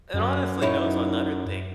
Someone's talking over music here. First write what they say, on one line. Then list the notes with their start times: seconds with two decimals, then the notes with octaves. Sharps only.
And, honestly, it was another thing.
0.14 F#2
0.62 D#4 E4 C#5